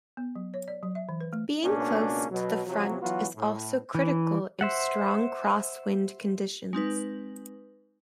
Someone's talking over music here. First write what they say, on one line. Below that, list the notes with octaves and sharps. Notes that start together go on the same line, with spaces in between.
Being close to the front is also critical in strong crosswind conditions.
B3
F#3
C#5
D5
F#3
E5
E3
B4
A3
C#2 B2 A#3 C#4 D4
B2 F#3
C3 F3 F#3
E3 F#3 B3 F4 F#4
A2
E3
C5 E5 F#5
G#3 C4 D#4 B4